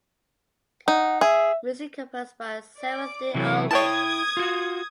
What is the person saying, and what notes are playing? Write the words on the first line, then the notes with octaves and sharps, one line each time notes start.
Music composed by Sarath de Alwis.
D#4 F#5
G#4 E5
D5 D6
C3 E3 F#3 A3 E4 C#5
E4 C#5 G5 A5 D#6 G#6
F4 F#4